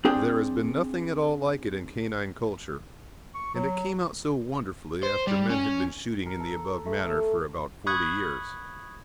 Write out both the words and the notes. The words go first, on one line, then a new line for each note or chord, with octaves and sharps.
There has been nothing at all like it in canine culture, and it came out so wonderfully after men had been shooting in the above manner for about forty years.
C4 D4 G#4 G5
C#6
F#3
C5
G3
C#4
A#4
A4
A3
B5 C#6 D#6 F#6 G#6